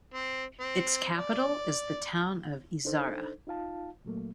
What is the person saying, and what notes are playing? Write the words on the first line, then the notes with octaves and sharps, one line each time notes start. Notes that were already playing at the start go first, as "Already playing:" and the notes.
Its capital is the town of Izarra.
C4
C4
D5
D4 D#4 A4 C5
D#4 F4 F5 A5
A#2 F#3 A3 A#3